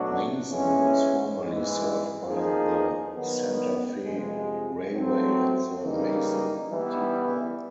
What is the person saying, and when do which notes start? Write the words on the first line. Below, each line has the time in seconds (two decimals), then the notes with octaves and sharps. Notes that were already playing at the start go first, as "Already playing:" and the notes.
Mazon was formerly served by the Santa Fe railway at the Mazon Depot.
Already playing: B2 F#3 A3 D4 F#4
0.49 E3 G#3 C#4
1.38 G#2 E3 G#3
2.26 F3 A#3 D#4 G#4
3.15 D#3 F#3 B3
4.04 F2 C3 F3 G#3
4.93 F#3 A3 C4
5.82 C#3 E3 G3 A#3 D#4
6.70 E3 G3 B3 E4